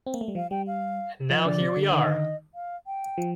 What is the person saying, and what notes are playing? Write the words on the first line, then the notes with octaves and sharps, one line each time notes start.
And now here we are!
C4
A#3
A3
G3
F3 F5
G3 G5
F5
F3 D#5
D3 D5
C3
D3
D#3 D#5
F5
G5
F3